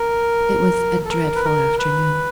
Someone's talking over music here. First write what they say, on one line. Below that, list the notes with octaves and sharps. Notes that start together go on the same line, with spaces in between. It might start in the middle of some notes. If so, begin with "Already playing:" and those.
It was a dreadful afternoon.
Already playing: A#4
A4
A#4
B4
A#4
B4